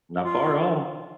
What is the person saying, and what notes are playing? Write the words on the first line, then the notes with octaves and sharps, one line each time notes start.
not far at all.
F4